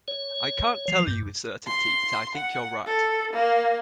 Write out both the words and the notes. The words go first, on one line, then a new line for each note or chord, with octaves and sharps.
I can't tell you with certainty but I think you're right.
C#5
F3
G2
C6
F#5
A4
A#3